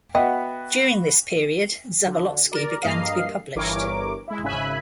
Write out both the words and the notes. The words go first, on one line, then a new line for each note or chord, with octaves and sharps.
During this period, Zabolotsky began to be published.
B3 F#4 B4 D#5 E5 F#5 G5
D3
A#4 D5
G2 A#3 D#5 F5 C7
G1 G2 E3 A#4 C#5 D6
G#3 E4
G#1 C#3 E5 G#5 B5 F#6